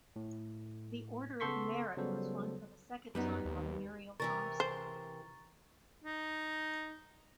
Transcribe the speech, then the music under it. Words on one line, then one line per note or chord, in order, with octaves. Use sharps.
The Order of Merit was won for the second time by Muriel Thomson.
A2
C#3 B3 A4 C6 C#6 B6
C#3 F#3 G3 B3 A4 C5
F#2 G3 B3 D#4
D#2
C3 E3 A#4 A#5 C#6 A6
C5
D#4